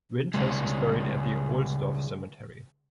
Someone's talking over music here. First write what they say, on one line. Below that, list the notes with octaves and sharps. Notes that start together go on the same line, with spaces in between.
Winters is buried at the Ohlsdorf Cemetery.
C#3 G3 G#3